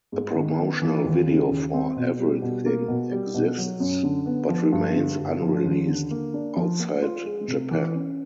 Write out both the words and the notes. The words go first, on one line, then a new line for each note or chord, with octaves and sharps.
A promotional video for 'Everything' exists, but remains unreleased outside Japan.
G#2
D#3
B3
E3
D#2
C#3
D#2
C4
B2
G3
B2
A#3
B2
G3
B2
F#3
F#2
D3
B3
F3
G2
D3
G2
F3
D#2
D3
A#3
D4
F3
A#3
F4
G#3
C3
E3
C#4